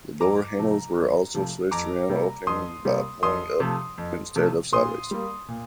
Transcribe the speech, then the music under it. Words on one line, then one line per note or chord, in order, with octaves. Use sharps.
The door handles were also switched around, opening by pulling up instead of sideways.
F2 A#5 D6
C3 F3 A3
F2
C3 F3 A3
F2 A#5 D6
C3 G3 A#3
F2 C6 D#6
C3 G3 A#3
F2 C6 D#6
C3 F3 A3
F2
C3 F3 A3
A#2 C6 D#6
G3 A#3
A#2